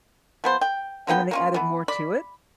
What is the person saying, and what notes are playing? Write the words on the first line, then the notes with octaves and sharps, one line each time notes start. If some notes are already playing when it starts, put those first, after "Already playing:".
and then they added more to it.
F3 B3 C5
G5
D3 A#3 B3 G5
A#3 C#4 F4
E3 B3
D5 B5